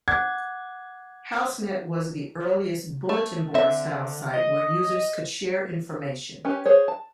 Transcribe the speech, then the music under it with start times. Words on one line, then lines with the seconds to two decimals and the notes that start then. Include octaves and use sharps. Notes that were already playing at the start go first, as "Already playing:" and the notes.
HouseNet was the earliest bulletin-board style site where users could share information.
0.08 F#5 D6 F#6 G#6
3.09 A3
3.54 D3 C4 E5
4.33 D#5
6.45 C#4 G4 B4
6.65 G#4 C5 C#5
6.88 A5